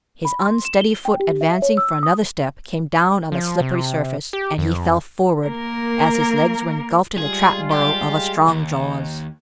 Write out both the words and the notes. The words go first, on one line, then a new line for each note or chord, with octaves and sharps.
His unsteady foot advancing for another step came down on a slippery surface, and he fell forward as his legs were engulfed in the trap burrow of a strong-jaws.
B5
C6
E7
G7
G5
G4
E5
C#5
E6
D#6
F3
C3
G4
F2
A#3 A#4
G3 G#3 F4 G#4
G4
D#2